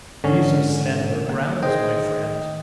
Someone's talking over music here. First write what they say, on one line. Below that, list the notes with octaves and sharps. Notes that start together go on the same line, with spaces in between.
'These are slender grounds, my friend.'
G#2 D3 C#4
A#3 F#5
D#3 G#4 C5 D#5 G5